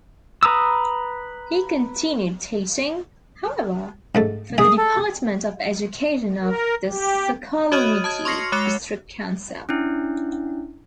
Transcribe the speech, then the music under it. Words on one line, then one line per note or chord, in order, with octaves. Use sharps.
He continued teaching, however, for the Department of Education of the Sokolniki District Council.
B4 A#5 D#6 E6
G#2 A3 A4
G#4 E5 D#6
A4
A#4
G4
F#4 C#5 D#5 D#6 F6 D#7
A5 D#6 G#6
C6 C#6 F6 A#6 C7 C#7
G#3 C#5 D6 F#6 C#7 F7
C#4 D4 E4